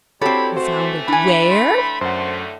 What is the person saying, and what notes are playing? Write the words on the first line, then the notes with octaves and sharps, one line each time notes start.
"You found it--WHERE?"
G3 C4 E4 F#4 G4 A4 C#5 B5
A2 E3 A3 F#4 C5
D4 E4 G#5 B5
C6
F#2 A2 D3 A3 C5 F#5